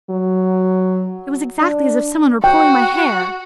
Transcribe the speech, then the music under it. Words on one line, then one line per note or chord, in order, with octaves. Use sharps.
"It was exactly as if someone were pulling my hair."
F#3
D4
F#4 G5